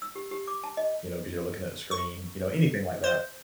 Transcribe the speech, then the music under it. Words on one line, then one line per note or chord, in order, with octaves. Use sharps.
you know, 'cause you're looking at the screen, you know, anything like that.
E6
G4
G4
D6
A5
D#5
C#6
C5